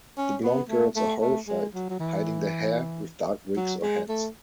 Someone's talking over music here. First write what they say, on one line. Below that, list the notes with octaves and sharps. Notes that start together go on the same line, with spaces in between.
The blonde girls are horrified; hiding their hair with dark wigs or hats.
C#4
B3
A3
A3
A3
G#3
F#3
F#3
E3
F#3
G#3
A3